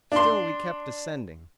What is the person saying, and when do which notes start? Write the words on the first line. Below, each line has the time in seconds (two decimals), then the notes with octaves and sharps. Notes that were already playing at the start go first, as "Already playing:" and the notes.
Still we kept descending.
0.12 D4 C6